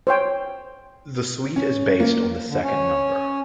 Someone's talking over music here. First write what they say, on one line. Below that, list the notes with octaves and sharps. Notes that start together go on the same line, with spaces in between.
The suite is based on the second number.
C5 C#5 G5
C#4
A#3
D3
C#4